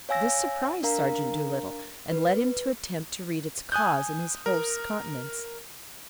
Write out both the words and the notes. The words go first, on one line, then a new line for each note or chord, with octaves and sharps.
This surprised Sergeant Doolittle and led him to attempt to read its cause in his host's countenance.
C#5 F5 G#5 E6 A#6
D4 A#4 F5 A#5
B4
G#5 D#6 F#6 G6
A#4